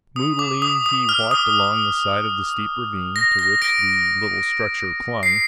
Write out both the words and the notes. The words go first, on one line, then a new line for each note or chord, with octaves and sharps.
Moodily he walked along the side of the steep ravine to which the little structure clung.
D#6
D6
D#6
D#6
F6
D#6
A#6
A#6
A#6 D7
C7